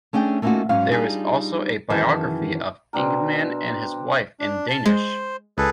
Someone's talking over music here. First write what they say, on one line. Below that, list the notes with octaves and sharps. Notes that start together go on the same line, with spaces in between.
There is also a biography of Ingmann and his wife in Danish.
A3 C#4 D4 G#4 G5
A3 A#3 C#4 D#4 F4 F#4
G#2 F#3 C#4 F5
G3 D4 D#4 F4 G#4
F#2 D#3 E3 B3 G#4 A5
B2 C4 D4 A#4
D4
A5
G#3 C5
C#2 G#4 A4 B4